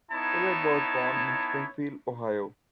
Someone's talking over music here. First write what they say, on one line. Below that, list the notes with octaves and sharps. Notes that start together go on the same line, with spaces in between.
Pillard was born in Springfield, Ohio.
B3 D#4 E4 C#5 A5